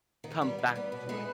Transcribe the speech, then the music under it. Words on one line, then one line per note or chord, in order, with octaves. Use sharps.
come back to it,
D#3
G3 B3
D#3 B4
G3 B3
B2
G#3 B3 E4 A4